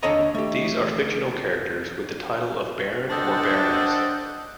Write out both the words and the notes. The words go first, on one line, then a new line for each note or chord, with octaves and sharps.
These are fictional characters with the title of "baron" or "baroness".
D#2 D3 A4 C#5 D#5 A#5
A3 G4
D4 A4 C5 D#5 F#5 G5